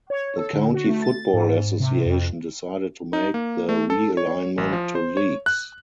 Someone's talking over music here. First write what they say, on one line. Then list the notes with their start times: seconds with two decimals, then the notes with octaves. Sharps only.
The County Football Association decided to make the realignment to leagues.
0.10 C#5
0.36 A4
0.53 D3
0.73 F#4
0.87 A3
1.02 A6
1.33 G#2
1.80 C3
2.06 F2
3.13 D#4
3.34 A#3
3.69 A3
3.90 A4
4.17 C#5
4.58 A1
4.73 F3
4.95 C5
5.17 C#5
5.46 F#6